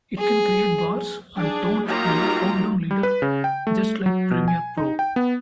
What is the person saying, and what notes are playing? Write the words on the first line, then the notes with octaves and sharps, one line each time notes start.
It can create bars and tone and a countdown leader, just like Premiere Pro.
G#4
D4 G#4
F#3 A#3 D#4 F4 G4 A#5
G3
B4
C#3
G5
A3
F#3
B2
G#5
D#4
G5
B3